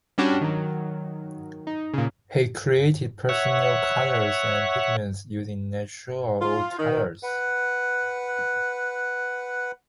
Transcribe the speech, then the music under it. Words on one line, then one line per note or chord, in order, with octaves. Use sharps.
He created personal colours and pigments using natural or old colours.
G3 C#4 D4 F#4 G4
D#3 F#3
D#4
A#2 C#3
C#5 E5 F#5
F4
D#3
B4 F#5